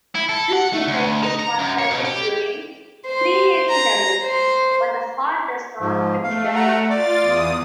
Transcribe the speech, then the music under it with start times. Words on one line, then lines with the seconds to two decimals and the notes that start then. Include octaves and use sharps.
This defect is contracted during prenatal development, when the heart does not finish developing.
0.15 E4
0.29 A4
0.53 F#5
0.73 A3
0.87 D2
1.23 D#4
1.39 A#5
1.59 F#2
1.79 C#5
1.91 B2
2.05 G4
3.07 C5
3.70 A#5
4.23 C5
5.81 G#2 F3
6.24 A3 F5
6.55 F#5 A#5
6.90 F4 D5 D6 A6
7.21 E2 D#6